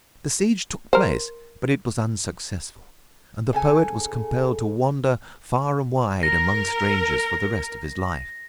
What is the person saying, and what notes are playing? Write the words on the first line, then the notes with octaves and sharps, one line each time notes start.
The siege took place, but it was unsuccessful, and the poet was compelled to wander far and wide among strangers for the rest of his life.
A#4 C5
C#3 A4 G#5
A#4 A#6